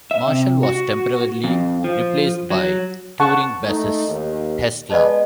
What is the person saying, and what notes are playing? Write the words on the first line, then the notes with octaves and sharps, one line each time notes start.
Marshall was temporarily replaced by touring bassist Hestla.
E5
C3
F#4
F2
F3
F#3
F#5 A5 C#6
A3 D#4
D#2
G#3 B3 D5 D#5 A5